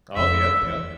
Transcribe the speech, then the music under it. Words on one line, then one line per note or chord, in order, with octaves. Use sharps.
Oh, yep, yep.
F2 E5
E2